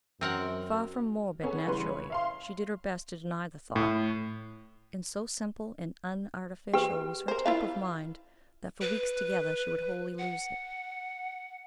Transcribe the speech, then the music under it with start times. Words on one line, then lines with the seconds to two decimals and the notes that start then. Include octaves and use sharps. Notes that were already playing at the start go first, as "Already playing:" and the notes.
Far from morbid naturally, she did her best to deny the thought, and so simple and unartificial was her type of mind that for weeks together she would wholly lose it.
0.21 F#2 C4 A#4 F#5
1.42 B3 C#4 G#4 A4
1.67 C#3 E3 G3 B4 C6
1.86 C#5
2.10 E5 F5 C6
3.76 A2
6.74 G4 B4 G5
7.28 A#4 C5
7.46 E4 F4 F5
8.81 B4
10.19 F#5